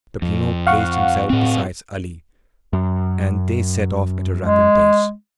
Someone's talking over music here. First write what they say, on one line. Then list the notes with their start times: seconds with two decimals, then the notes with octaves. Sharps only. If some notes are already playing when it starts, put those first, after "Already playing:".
Peppino placed himself beside Ali, and they set off at a rapid pace.
0.22 F2
0.67 F5 F#5 C#6
1.30 A2 C4
2.73 F#2
4.43 G#3